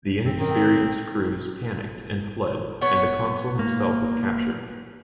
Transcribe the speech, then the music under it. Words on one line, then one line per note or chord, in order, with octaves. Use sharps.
The inexperienced crews panicked and fled and the consul himself was captured.
F#2 D#3 C4
G#2 D#3 C#4
G5
B3 C#5
A#3